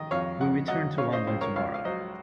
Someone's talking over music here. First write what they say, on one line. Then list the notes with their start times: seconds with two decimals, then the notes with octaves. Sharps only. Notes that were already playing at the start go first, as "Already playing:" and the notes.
We return to London tomorrow.
Already playing: D#3 D#5
0.11 F2 C#5 F5
0.41 F2 F#5
0.68 F#3 D#5 F#5
0.98 C#3 C#5 F5
1.12 C5 D#5
1.27 C#2 G#4 C5
1.41 A#4 C#5
1.56 C#2 C#5 F5
1.74 F5
1.85 F#3 C5 D#5